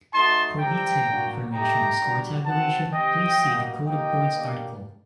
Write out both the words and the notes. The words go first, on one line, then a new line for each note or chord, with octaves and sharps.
For detailed information on score tabulation, please see the Code of Points article.
A3 D#4 F#4 A5 C6
G3 C4 G4 G5 A#5
A#3 D4 F#4
A3 D#4 G4 G5 A#5
G3 D4 F#4
C4 F#4 F#5 A5
C4 G4 D#5 G5
G3 A#3 F#4
A#3 D#4 G4 D#5 G5
A#3 D4 G4